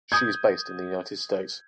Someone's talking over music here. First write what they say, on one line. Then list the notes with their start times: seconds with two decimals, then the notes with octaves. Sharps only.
She is based in the United States.
0.12 D#6 G6 G#6